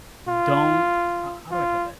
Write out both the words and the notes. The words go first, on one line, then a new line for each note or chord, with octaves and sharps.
don't" how how do I put that?
F4
F4